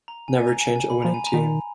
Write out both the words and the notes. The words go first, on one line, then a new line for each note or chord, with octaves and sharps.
Never change a winning team.
A#5
G#5
G#5
A#5
G#5
G#5
B5
F3 A#5
G#5
A#5
D#3